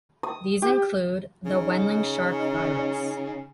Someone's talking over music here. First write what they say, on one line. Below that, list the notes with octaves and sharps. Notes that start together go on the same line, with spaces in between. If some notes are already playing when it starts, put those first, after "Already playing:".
These include the Wenling shark virus.
D#6
G4
C#3 D#4